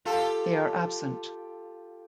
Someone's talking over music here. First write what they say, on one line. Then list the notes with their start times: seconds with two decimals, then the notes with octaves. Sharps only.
They are absent.
0.05 F4 G4 A4